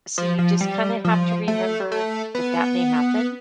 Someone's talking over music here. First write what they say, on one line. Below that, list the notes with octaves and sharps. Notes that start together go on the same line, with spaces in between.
so you just kinda have to remember that that may happen
F3
F3
G3
F3
A3
A3
B3